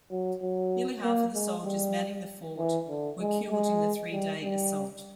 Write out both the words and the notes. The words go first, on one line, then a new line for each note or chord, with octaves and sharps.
Nearly half of the soldiers manning the fort were killed in the three-day assault.
F#3
F#3
A#3
G#3
G3
E3
D3
G#3
G#3
G3
G3